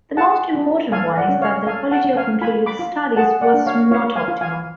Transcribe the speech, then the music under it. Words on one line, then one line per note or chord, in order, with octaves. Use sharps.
The most important one is that the quality of included studies was not optimal.
G#4 F#5 A5
D4
A4 F5 G#5
D5 F#5
C#4
C#5 F5
A4 F5 G#5
F#5 A5
C#4
F5 G#5
F4 G#5 B5
B5 D6
F4
G#4 F#5 A5
D5 F#5
D4
C#5 F5
F4 C#5 F5
F5 G#5
F4
F5 G#5